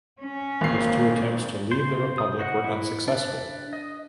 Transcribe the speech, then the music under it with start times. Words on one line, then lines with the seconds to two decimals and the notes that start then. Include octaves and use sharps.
His two attempts to leave the republic were unsuccessful.
0.22 C#4
0.61 G#1 A#3 C7
1.71 C#3 C5
2.18 D#6
2.39 F#4 D#5 F#5
2.64 E4
3.08 D4 B4
3.73 D#5